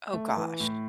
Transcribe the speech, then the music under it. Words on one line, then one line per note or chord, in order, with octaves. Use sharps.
Oh, gosh.
A3
E3
A2